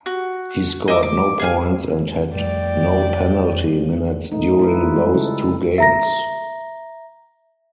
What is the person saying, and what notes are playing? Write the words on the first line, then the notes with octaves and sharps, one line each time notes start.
He scored no points and had no penalty minutes during those two games.
F#4
D#5 E5 D6
D6
G#4 F5 G#5
F2 G3 A3 D5 G5
A3 D4 D#4
E4 F4 A4 B4
G3 G#3
C#3 E4 A4
E5 A#5 A#6